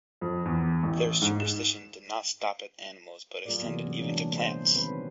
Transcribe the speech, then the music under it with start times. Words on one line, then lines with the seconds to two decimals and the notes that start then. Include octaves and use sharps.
Their superstition did not stop at animals but extended even to plants.
0.21 F2
0.45 E2
0.83 A1
1.21 G#2
1.40 E7
3.45 F#3 A3 F4 G#4 A#4 D5
3.62 C3 E3 A#3 B3
3.84 F#3 G3 A#3 C#4 A#4
4.00 A#2 E3 G#3 D4
4.38 C5
4.75 D#3 G3 A3 C4 C#4 B4